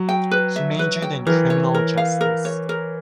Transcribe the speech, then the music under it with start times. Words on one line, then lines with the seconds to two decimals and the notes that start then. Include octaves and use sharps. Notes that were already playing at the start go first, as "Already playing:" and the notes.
He majored in criminal justice.
Already playing: F#3
0.09 G5
0.31 B4
0.56 E5
0.79 B4
1.02 G5
1.27 E3 A#4
1.50 C#5
1.74 A#4
1.97 F5
2.21 A#4
2.45 C#5
2.69 A#4